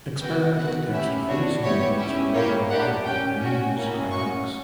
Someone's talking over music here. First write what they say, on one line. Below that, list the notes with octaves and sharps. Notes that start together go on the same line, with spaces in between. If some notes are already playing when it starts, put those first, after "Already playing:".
Experimental attempts to freeze human beings for later revival are known as cryonics.
B3 F#4 G5
B3 F#4 F#5
C#4 E4 G4 E5
B3 D4 F#4 C#5
B3 E4 G4 C#5
C#4 E4 G4
A#3 E4 G4 C#5
A#3 D4 G4 F#5
C#4 G4 G5
C#4 F#4
A#3 C#4 E4
C#4 F#4 C#6